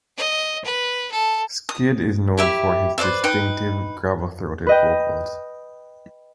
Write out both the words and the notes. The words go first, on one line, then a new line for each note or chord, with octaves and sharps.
Skid is known for his distinctive gravel-throated vocals.
D#5
B4
A4
D#6
E4 G4 E5
B4 C5 D5 E5
D#4 B4 G5 D#6
B4 D#5 G5